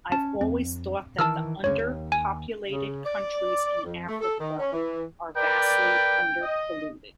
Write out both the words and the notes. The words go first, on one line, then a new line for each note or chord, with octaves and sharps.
I've always thought that under-populated countries in Africa are vastly underpolluted.
C#4 A5
F2 C4
D#3 E3 A5 E6 F6
F#1 D2 C#3 C#5
D#2
G#5
C#3
D5
F2
A3
A4
D#3
C#4
E3
A#4 B4 D5 G5
D#5